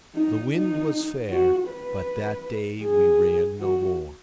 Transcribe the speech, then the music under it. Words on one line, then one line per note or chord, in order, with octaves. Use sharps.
The wind was fair, but that day we ran no more.
D#4
D#4
F#4
B4
G#4
F#4